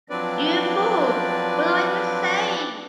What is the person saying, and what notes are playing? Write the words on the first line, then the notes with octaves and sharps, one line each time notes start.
You fool! What are you saying?
F3 F#3 C4 D4 B4 D5